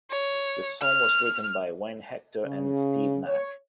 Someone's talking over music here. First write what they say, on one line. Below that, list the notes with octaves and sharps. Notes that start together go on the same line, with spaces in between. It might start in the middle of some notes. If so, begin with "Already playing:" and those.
The song was written by Wayne Hector and Steve Mac.
C#5
F6
C#3
C#5